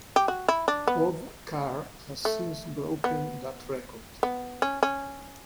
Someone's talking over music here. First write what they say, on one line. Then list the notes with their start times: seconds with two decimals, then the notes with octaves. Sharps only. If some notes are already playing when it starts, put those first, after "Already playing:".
Bob Carr has since broken that record.
0.16 G4
0.28 F#4
0.48 E4
0.68 D4
0.87 B3
2.25 A3
3.04 B3
4.23 B3
4.62 C#4
4.83 C#4